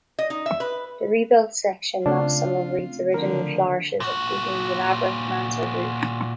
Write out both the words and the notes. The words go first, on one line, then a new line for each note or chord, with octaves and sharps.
The rebuilt section lost some of Reed's original flourishes including the elaborate mansard roof.
D#5
D#4
E5
B4
C#3 A3 C4 D4 F4
D3 F3 A#4
A#2 F#4